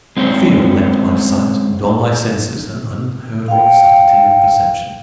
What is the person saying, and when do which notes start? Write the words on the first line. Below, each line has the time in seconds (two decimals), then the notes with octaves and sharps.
Fear lent my sight, and all my senses, an unheard-of subtlety of perception.
0.17 G#3 C4 C#4 C5
3.48 F5 G5